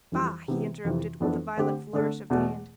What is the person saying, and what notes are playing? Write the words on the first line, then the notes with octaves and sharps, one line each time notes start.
"Bah!" he interrupted, with a violent flourish of the hand.
F2 E3 G3
C3 E3 B3
F2 C3 E3
F2 E3 B3 D4 A4
D3 A3 C4 G4
D3 A3 D4 A4
E2 B2 A3